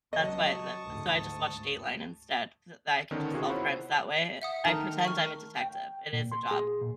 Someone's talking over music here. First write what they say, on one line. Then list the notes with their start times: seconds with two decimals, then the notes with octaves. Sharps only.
That's why the so I just watched Dateline instead. Th then I can just solve crimes that way. I I pretend I'm a detective. It is a job.
0.13 C#2 F#3 D#5 A5 C#6 D#6
0.84 D2 G#2
3.11 D3 D#3 B3 C#4 D4
3.33 C3 F4 F#4 G#4
3.48 E4 C5 C#5 F#5 B5
4.42 E5 F#5 D#6
4.65 D#3 A3 A#4 A#5
5.05 C#6 F6
5.59 G5
6.13 A#2
6.32 C6
6.51 G#4
6.81 A#2